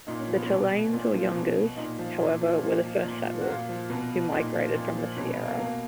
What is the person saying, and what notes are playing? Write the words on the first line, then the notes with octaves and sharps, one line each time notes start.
The Tallanes or Yungas, however, were the first settlers, who migrated from the Sierra.
A#2 D#4
C#4
F3 B3
B2 C#4
A#2
F3
B2
A#2 D#4
F3
A#2
F3
A#2
F3
A#2
F3
F#4
A#2 F4
F3
B2
A#2 D#4
F3
A#2
F3
B2 C#4
B3
A#3
B2 A#3